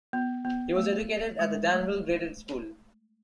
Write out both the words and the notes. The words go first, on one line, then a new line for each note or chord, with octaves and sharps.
He was educated at the Danville Graded School.
B3
B3
A3
G#3
A3